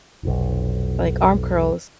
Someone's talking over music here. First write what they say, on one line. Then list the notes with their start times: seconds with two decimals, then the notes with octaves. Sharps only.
like arm curls,
0.23 F1 B1